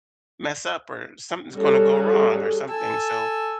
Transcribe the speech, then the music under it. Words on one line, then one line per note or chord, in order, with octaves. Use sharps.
mess up or something's gonna go wrong or something, so
G3 C#4 F#4 G#4 A4
A4 G#5 E6